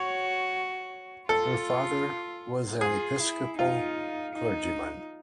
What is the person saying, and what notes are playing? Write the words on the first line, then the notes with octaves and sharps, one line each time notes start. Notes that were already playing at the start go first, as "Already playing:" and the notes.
Her father was an Episcopal clergyman.
Already playing: F#4 C#5
F4 A4
F4 G#4
E4
D#4 F4
D#4